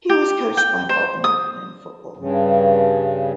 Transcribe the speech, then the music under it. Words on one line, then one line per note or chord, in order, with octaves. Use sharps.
He was coached by Bob Newton in football.
G4
G5
C5
D#6
G2 C#3